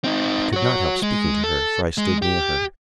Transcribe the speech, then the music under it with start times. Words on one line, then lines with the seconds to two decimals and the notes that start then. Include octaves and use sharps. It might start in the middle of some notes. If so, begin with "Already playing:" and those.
I could not help speaking to her, for I stood near her.
0.04 C4 D#4
0.53 F#4 C#5
1.03 G#3
1.44 A4
1.98 G#3
2.22 G4